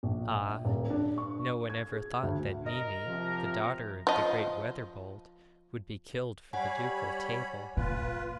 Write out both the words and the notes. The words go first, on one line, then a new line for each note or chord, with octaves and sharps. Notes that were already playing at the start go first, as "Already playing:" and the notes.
Ah! no one ever thought that Mimi, the daughter of the great Weatherbold, would be killed for the ducal table.'
A#1
D#1
D4
C#6
G#6
G#4
D2
A#4 D#5
C3 F3
F3 D#5
G3 C#5 F#5 G#5 B5
A#2 F4 B4